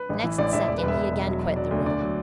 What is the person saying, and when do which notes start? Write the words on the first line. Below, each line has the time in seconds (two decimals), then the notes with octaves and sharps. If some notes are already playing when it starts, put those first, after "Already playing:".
Next second he again quit the room.
Already playing: B4
0.09 A1
0.24 E3
0.38 A1 D5
0.53 A1 E5
0.68 E1 D5
0.78 B4
0.83 E1
0.88 E5
0.98 E1
1.12 E1
1.27 F#3
1.42 F#3
1.56 F#3 D5
1.71 D2
1.86 D3 D5
2.00 F#3